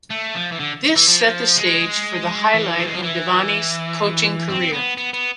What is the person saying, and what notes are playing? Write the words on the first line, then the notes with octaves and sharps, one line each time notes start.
This set the stage for the highlight of Devaney's coaching career.
A3
F3
E3
D3
E3
F3
G#3
E3
A3
G#3
F3
E3
C4
B3
B3
B3